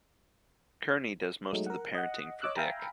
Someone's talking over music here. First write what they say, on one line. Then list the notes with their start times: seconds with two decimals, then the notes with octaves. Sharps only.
Kearney does most of the parenting for Dick.
1.53 F#3 G#3 A3 D#4
1.66 A#4 F#5
1.95 D#5 F#5
2.42 C#5 D#5 D6 E6 F#6
2.56 E5 F5 G5 G#5 A#5 B5